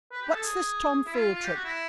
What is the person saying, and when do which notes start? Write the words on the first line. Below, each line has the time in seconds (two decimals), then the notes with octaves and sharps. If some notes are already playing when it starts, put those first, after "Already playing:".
What's this tomfool trick?
0.12 B4
0.22 G4
0.32 A4
0.42 G#4
1.06 E4
1.13 F4
1.33 F4
1.44 G4
1.54 F#4
1.64 E4